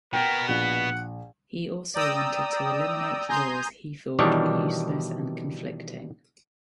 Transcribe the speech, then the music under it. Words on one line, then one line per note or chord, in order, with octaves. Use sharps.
He also wanted to eliminate laws he thought were useless and conflicting.
B2 B3 A#4 G5
A#1 F#5
D5 G5 A#5 D#6 E6
G#5 A#5 C6 D#6 G6
B2 D#3 E3 G3 D4 C#5